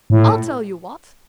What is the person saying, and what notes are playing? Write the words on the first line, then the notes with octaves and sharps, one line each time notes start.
I'll tell you what!
A2